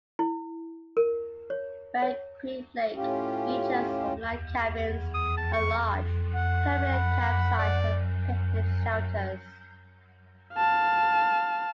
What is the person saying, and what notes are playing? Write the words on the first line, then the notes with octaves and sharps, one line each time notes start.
Bear Creek Lake features overnight cabins, a lodge, permanent camp sites, and picnic shelters.
E4
A#4
C#5
C#5
A2 C#4 F4 G4
D#6
A5
C#6
F#5
B5
D5
F5 A5